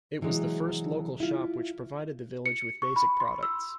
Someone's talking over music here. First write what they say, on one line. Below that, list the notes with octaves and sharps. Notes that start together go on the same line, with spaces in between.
It was the first local shop which provided the village with basic products.
C3 E3 F#3 G#3
E4 F4
C#7
C#6
B5
C6
E6